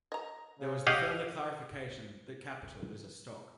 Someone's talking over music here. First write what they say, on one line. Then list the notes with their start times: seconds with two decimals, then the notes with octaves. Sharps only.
There was the further clarification that capital is a stock.
0.12 D#5 A#5
0.60 C#3
0.87 G4 C#5 D#5 F5 F#5